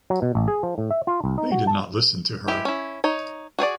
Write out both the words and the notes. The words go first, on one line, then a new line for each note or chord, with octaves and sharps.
They did not listen to her.
F#3
B2
A1
G#4
F3
A2
E5
F4
C2
D#4
F#4
A5
G#3 E4 G4
C#4 E4
D#4 C#5
F#4 G#4 C#5 D5